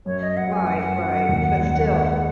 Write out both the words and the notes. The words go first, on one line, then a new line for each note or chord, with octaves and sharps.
Right, right, but still
F#2 C#5
D#5
F#2 F#5
G#5
F#2 F#5
F#2
D#2
D#2
G#3